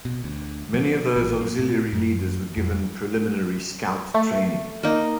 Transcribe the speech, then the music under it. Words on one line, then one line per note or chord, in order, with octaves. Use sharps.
Many of those auxiliary leaders were given preliminary Scout training.
B2
D2
F3
A1
A#3
A2
F#2
F2
A3
A#3 D#4